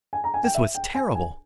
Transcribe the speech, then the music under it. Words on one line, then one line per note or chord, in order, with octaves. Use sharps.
This was terrible!
G#5
A#5
G#5
G5
E5
G5
G#5
G#5